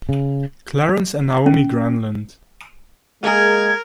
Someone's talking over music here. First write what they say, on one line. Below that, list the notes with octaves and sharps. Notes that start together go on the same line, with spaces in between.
Clarence and Naomi Granlund.
C#3
C#4
G#3 A#3 G#4 A#4 G#6